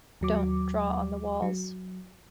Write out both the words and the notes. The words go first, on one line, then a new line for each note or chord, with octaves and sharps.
Don't draw on the walls.
D#2 F#3 D6
F#3